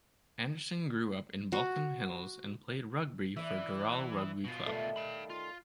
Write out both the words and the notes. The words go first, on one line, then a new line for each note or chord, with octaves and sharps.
Anderson grew up in Baulkham Hills and played rugby for Dural rugby club.
F#4
E3 D5 E5
B2 F4
D#3 G3 A3
F5 B5
F4